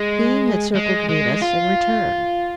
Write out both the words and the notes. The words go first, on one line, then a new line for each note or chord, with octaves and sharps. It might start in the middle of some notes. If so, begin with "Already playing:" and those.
He had circled Venus and returned.
Already playing: G#3
G#3
G#3
F4